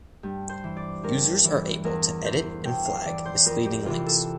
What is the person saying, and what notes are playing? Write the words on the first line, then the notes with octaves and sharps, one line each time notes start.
Users are able to edit and flag misleading links.
G2
C5
E3
D5
G2 A#4
E3
E2 A#4
E3 C5
E2 G5
F5
E3 D5
C5
F2 A#4
G4
C3 E3 F4
A4